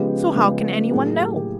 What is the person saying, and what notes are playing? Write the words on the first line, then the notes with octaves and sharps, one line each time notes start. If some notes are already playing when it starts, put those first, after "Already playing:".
So how can any one know?
Already playing: C#3 F3 G#3 B3 G4
C#3 F3 G#3 B3
A2 F#3 A#3 G#4
G4
G4